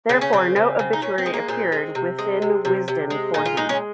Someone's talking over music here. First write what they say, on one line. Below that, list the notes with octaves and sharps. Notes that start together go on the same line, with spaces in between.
Therefore no obituary appeared within Wisden for him.
C#3 C4
C#4
C#3 C4
C#3
C#3
D#4
A#2 C#4
C4
G#3
A#3
A#2 C4
G#3
C3
G#3
C3
C3
C3
G#3
A#2 D#4
F4
G#3 D#4
C#4